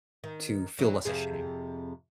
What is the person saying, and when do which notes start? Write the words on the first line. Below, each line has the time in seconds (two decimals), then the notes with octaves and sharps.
to feel less ashamed?
0.24 D#3
0.79 E3 F#3
1.05 F2 C3 G#4